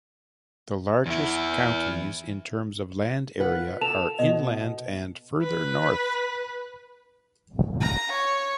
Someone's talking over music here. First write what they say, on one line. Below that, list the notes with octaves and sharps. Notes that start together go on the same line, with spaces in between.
The largest counties in terms of land area are inland and further north.
E2 E4
F4 B4 F#5
A4 A5 E7 F7
B2 D#5
B4
A#5
C#5